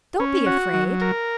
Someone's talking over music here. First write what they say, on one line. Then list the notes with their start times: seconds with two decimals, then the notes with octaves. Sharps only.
Don't be afraid.
0.20 C#4
0.46 F#4
0.74 F#3
1.01 A#4